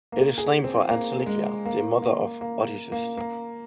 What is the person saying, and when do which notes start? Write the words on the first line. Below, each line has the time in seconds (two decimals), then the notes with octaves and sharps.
It is named for Anticlea the mother of Odysseus.
0.12 A#3
0.38 G#4
0.64 C4
0.89 A#3
1.26 G#3
1.66 A#3
2.02 A#3
2.41 A#3
2.92 A#3
3.17 A#3